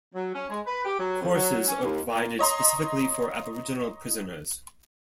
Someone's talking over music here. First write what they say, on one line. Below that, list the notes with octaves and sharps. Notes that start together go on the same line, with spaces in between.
Courses are provided specifically for Aboriginal prisoners.
F#3
C#4
G#3
B4
G4
F#3
F2
F#3
C#4
D#2
A#2
C#5 D#5 A#5 C6